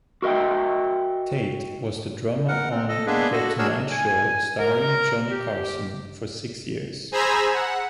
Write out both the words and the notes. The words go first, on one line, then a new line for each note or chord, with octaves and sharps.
Tate was the drummer on "The Tonight Show Starring Johnny Carson" for six years.
F#4 A#4 D#5 E5 G5
A#4 F#5
C4
A4 D#5
G#3 A#3 B3 D4 G#4 B4
F#4 A4 D#5
D4 F#4 G#4 A#4 C#5 E6
G#5
A#4
G4
G#4 C5 G#5 A#5 B5 E6
F#5